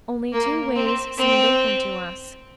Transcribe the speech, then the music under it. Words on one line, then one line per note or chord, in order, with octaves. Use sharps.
Only two ways seemed open to us.
A#3
C4
C4